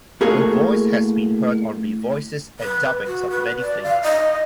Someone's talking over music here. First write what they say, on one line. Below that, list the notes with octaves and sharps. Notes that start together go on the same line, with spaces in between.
Her voice has been heard on re-voices and dubbings of many films.
A2 A#3 F#4 G#4 A#4
B4
F#4
B4
D5
F5
D#5